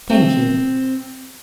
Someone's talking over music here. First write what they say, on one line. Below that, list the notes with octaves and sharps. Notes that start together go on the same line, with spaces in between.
'Thank you.
C4